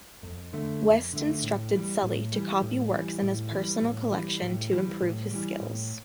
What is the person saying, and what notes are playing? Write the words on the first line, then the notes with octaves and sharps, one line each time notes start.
West instructed Sully to copy works in his personal collection to improve his skills.
F2
D3 A3
F2
D3 A3
A2
E3 G3
A2
E3 G3
A2
E3 G3
A2
E3 G3
A2
E3 G3
A2
E3 G3
A2
E3 G3
A2